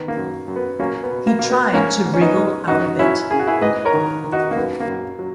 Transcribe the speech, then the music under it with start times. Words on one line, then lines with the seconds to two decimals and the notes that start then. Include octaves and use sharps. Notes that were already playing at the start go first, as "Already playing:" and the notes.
He tried to wriggle out of it.
Already playing: D#3 B3
0.08 A#3
0.17 F#2
0.48 F#2
0.56 B3
0.80 F#3 A#3 C#4
1.03 B3
1.11 B2
1.27 A#3
1.39 B2 A#3
1.50 B3
1.73 G#2 A#3 C#4
2.05 G#2
2.14 C#4
2.21 B3 D#4
2.37 G#3
2.67 F#2 D#4 F#4
2.99 F#3 C#4 E4
3.31 C#3 G#4
3.39 F#4
3.47 E4 G#4
3.61 G#2 B4 D#5
3.85 A#4 C#5
3.94 D#3
4.24 D#3
4.32 D#4 F#4
4.51 A#3
4.56 F#2 B3
4.80 A#3
4.87 F#2
5.19 F#3